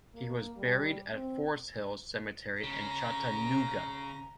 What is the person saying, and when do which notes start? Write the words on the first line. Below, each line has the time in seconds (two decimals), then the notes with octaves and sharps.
He was buried at Forest Hills Cemetery in Chattanooga.
0.15 A#3
0.57 G3
1.14 C4
2.63 C#3 A#5